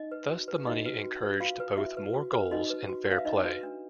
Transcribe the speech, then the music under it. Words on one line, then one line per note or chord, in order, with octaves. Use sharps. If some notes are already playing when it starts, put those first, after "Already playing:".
Thus the money encouraged both more goals and fair play.
Already playing: D#4 D#5
B4
F#4
B4
D#4 F#4 D#5
B4
F#4
B4
F4 F#4 F5
B4
E4 F#4 E5
B4
F#4
B4
D#4 F#4 D#5
B4
F#4
B4 F5
E5
D4 D#4 D#5
F#4 B4
D4